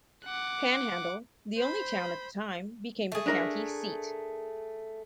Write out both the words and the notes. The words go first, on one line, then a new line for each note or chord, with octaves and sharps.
Panhandle, the only town at the time, became the county seat.
F#5 D6
C5 B5
A3 G#4
D4 A#4 E5